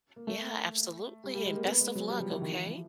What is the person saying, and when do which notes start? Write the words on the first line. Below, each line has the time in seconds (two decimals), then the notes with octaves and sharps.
Yeah, absolutely, and best of luck, okay?
0.16 A#3
0.27 A3
1.24 G3
1.35 G3
1.45 G#3
1.56 A#3
1.67 B3
1.80 G#3
1.95 F#3
2.10 G3
2.20 F3
2.31 E3
2.42 D#3
2.52 E3
2.66 F3